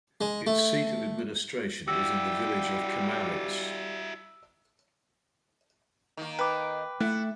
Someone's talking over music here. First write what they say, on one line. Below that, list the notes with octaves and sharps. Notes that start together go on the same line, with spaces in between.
Its seat of administration was in the village of Kamares.
G#3
A3
G3 E4 F#4 G4 E6
D#3 A#3
B4 G5 D6
A3 E4 F#5